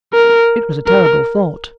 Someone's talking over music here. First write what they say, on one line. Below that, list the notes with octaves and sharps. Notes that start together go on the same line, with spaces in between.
It was a terrible thought.
A#4
A#4